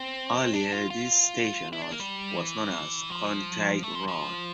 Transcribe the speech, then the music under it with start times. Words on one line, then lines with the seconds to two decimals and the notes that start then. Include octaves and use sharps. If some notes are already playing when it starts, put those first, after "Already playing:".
Earlier this station was known as Contai Road.
Already playing: C4
0.53 D4
0.72 F4
0.90 F4
1.73 E4
1.82 D4
1.91 A#3
2.00 G3
2.36 E3
3.10 F3
3.83 A3
3.95 F3
4.08 F3